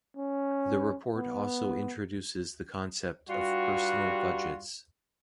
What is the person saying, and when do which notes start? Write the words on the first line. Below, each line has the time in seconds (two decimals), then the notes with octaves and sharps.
The report also introduces the concept of personal budgets.
0.17 C#4
1.16 B3
3.29 G2 G3 F4 F#4